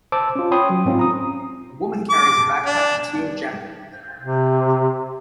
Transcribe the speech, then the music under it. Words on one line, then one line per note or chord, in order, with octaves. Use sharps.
A woman carries a backpack and teal jacket.
C5 A5 D6 E6
C#4 F4
C#5 G5 B5 C6 D#6
F#3
G#2 C4 C#4 F4
A#5 D#6
D6
D4
C3